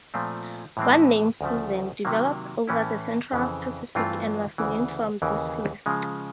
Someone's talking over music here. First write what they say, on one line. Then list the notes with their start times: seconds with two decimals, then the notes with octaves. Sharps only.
One name, Susan, developed over the Central Pacific and was named from this list.
0.14 A#2 F3 A3 C4
0.77 A2 E3 G#3 C4
1.41 D2 C#3 F3 A3
2.05 C3 D#3 F#3 A#3
2.67 A2 E3 A3 C#4 E4
3.32 F2 C#3 E3
3.95 G2 E3 A3 C4 F4
4.58 D2 C#3 E3
5.22 D#2 C#3 E3
5.86 C#3 F3 G#3